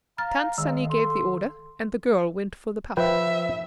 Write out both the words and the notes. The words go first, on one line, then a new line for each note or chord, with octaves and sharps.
Tant Sannie gave the order, and the girl went for the pap.
F5 A#5 F6 A6
D#3 G#3
A4 C6
F3 B4 E5 G5